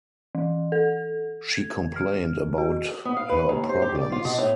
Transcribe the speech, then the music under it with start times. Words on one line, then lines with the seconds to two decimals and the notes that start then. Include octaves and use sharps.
She complained about her problems.
0.35 E3
0.72 A4
1.55 G#6
1.96 F6
2.58 F#4
3.05 B3
3.17 F5
3.29 B4
3.49 D#2
3.69 C5
3.82 G4
3.95 D5
4.12 F4
4.25 B2
4.38 A2